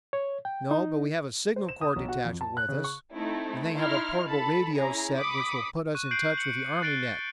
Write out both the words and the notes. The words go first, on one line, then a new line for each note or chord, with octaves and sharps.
"No, but we have a Signal Corps detachment with us, and they have a portable radio set which will put us in touch with the army net."
C#5
G5
D#4
C5
E7
D#6
B1
F#4
F2
A5
F#6
C#3
C#6
A3 C4 D#4 E4
D#4 E4 C6 F6
A4 A5 B5
C#4 E4 G#4 A#5
B5 D6 D#6 B6 C#7
C#6 F#6 D#7
C#6 F#6 G6 C7 D7 F#7
C#7 F#7
D7
F#6 A6 C7 D7 F#7 G7